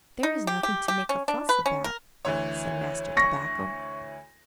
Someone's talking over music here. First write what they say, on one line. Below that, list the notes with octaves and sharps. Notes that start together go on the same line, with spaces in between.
"There is nothing to make a fuss about," said Master Tobacco.
D#4
G4
G4
G4
C#4
D4
B4
C#4
A#4
D2 E3 C#5
C#6 A#6